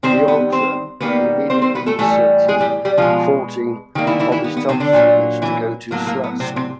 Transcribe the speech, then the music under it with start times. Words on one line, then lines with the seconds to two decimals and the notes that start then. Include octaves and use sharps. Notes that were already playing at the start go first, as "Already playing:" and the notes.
The Alter immediately selected fourteen of his top students to go to Slutsk.
0.03 C3 D#3 G3 C4 C5
0.28 B3 B4
0.52 C4 C5
1.01 D#3 G3 A#3 B3 B4
1.50 C4 C5
1.62 C4 C5
1.75 B3 B4
1.86 A3 A4
1.99 A2 E3 G3 A3 A4
2.48 G#3 G#4
2.60 G3 G4
2.85 G3 G4
2.97 B2 F3 G#3 F4
3.95 D#3 G3 A#3
4.07 E3 E4
4.20 E3 E4
4.32 E3 E4
4.44 B3
4.57 B3
4.69 C3 C4
4.80 D3 D4
4.93 A#2 F#3 A#3
5.42 E3 E4
5.91 A2 F#3 A#3
6.07 A#3
6.24 B3
6.40 C3 C4
6.56 C3 C4